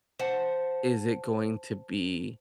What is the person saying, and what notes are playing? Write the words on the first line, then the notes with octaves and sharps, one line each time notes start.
is it going to be
C5 F#5 A5